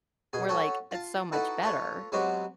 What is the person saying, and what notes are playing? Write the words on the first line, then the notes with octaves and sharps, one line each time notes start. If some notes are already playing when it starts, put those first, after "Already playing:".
we're like, "It's so much better."
B2 G#4 G#5
C#4 F#4 A4 C#5 G5
F4 F5 A5
D#4 E4 F#4 A4 B4
F4 A4 B4 C#5
F#3 G#3 B3 C4 F#4 G4